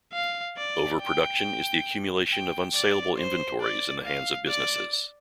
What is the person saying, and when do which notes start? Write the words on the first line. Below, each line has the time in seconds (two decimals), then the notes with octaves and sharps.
Overproduction is the accumulation of unsalable inventories in the hands of businesses.
0.13 F5
0.57 D5
1.01 G5
2.31 G5
2.74 D5
3.18 C5
3.61 D5
4.05 F5
4.48 D5